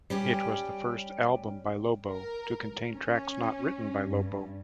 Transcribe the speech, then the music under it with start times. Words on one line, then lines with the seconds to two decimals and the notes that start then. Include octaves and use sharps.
It was the first album by Lobo to contain tracks not written by Lobo.
0.10 G3 C#4 G4
2.08 A#4
2.93 C#4
4.05 G2